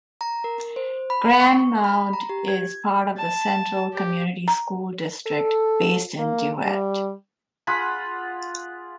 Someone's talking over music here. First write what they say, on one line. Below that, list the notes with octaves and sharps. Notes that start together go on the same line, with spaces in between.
Grand Mound is part of the Central Community School District, based in DeWitt.
A#5
A#4
C5
B5
C#6
B5
A#5
G4
G#6
A5
G4
A#5
A4
A#3
G3
F4 G#4 F#5 B5